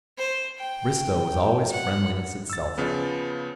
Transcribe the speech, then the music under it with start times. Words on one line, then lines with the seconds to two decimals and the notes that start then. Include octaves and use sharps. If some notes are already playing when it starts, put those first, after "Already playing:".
Bristow was always friendliness itself.
0.17 C5
0.58 G5
1.71 F#5
2.50 E6 A6
2.78 C#3 F3 B3